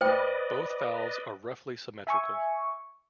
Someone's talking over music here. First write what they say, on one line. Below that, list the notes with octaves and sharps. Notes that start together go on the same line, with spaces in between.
Both valves are roughly symmetrical.
B4 C5 D5 D#5 G5
E5 G#5 C#6